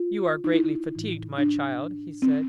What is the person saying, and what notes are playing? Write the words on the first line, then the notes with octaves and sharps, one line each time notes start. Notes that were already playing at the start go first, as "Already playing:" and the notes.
"You are greatly fatigued, my child," he said.
Already playing: F4
D#4
E4
A2 E3
D4
C4